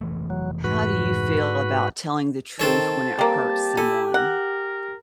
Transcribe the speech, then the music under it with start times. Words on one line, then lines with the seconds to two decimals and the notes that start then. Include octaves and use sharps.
How do you feel about telling the truth when it hurts someone?
0.01 F1 E3 A3
0.30 F#3
0.64 G#2 F#4 B4
2.60 D#3 C4 A4 C#5 A5
3.19 G3 A#3 G4
3.77 E4 A4 G#5
4.14 A#4 F#5